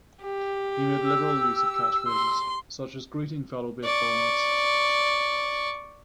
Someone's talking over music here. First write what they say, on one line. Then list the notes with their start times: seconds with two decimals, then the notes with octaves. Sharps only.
He made liberal use of catchphrases, such as Greetings fellow baseball nuts!
0.23 G4
1.02 E6
2.08 C6
3.84 D5 C#6